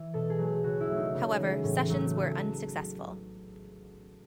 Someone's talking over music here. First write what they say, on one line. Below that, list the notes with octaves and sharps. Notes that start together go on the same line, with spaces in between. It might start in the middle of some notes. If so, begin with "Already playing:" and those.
However, sessions were unsuccessful.
Already playing: E3
B2 A4
G#4
F#3 A3
G#4
C#3 F#4
E4
F#3 A3
D#4
C#3
E3 G#3
A2
F#3 A3